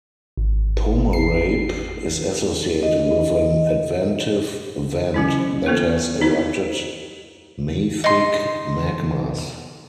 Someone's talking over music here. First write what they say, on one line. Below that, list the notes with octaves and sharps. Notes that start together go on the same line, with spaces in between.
Pomerape is associated with an adventive vent that has erupted mafic magmas.
G#1
C7
D#5
F#3 C#4 E4
A#3 B3 F4 A4 C5
D#4 E4 C5
D#4 C6